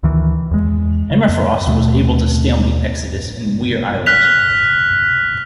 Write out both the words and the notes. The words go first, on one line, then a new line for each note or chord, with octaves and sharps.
Emma Frost was able to stalemate Exodus in Muir Island.
D2 D#3 E3
E2 G#3
C#3
F2
D#2 B2 A3
F6 F#6 B6 F7